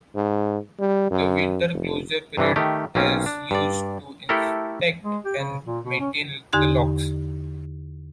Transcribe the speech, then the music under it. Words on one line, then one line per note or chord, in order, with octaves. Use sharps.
The winter closure period is used to inspect and maintain the locks.
G#2
G3
F#2
F1
G2 C3 E3 G3
D#3 A3 G4
B1 A#3 C4 C#4
D4
G2 D5
A3 E4 G4 A4 A#4
G#3
G4
C#3
A#2
B2
C#4
E2 D3 D#4 G4 C6 G#6